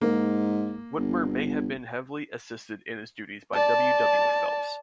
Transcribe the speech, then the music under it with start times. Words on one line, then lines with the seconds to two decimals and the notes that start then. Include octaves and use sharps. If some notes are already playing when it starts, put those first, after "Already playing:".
Whitmer may have been heavily assisted in his duties by W. W. Phelps.
0.01 G#2 A#3
0.98 G1
3.54 D5 A5